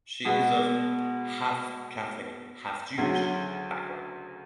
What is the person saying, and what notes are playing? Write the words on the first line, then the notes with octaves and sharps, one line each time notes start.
She is of "half-Catholic, half-Jewish" background.
B2 G#3 B3 F#4
D2 C#3 F#3